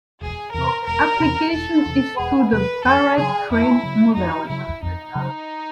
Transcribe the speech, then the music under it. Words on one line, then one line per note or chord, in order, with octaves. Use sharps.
Application is to the Barrett-Crane model.
E1 G#4
E2 C3 A#4
E1 A#4
E2 C3
E1 A4
E2 C3
E1 G#4
E2 C3 B4
F2 A4
C#3 F#3 G#4
F2 E4
C#3 F#3
F2 D#4
C#3 F#3 E4
F2 D#4
C#3 F#3